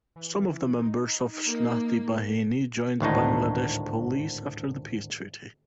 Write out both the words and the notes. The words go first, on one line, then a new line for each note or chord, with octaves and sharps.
Some of the members of Shnati Bahini joined Bangladesh Police after the peace treaty.
E3
D#4
A#3
G#1 D2 A2 D#4